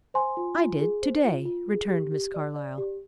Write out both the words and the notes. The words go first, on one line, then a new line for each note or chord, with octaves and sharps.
"I did to-day," returned Miss Carlyle.
C5 G#5 C6
F4
F4
G#4
C5
F4
F4
G#4
G4
G4
D5
D5
G4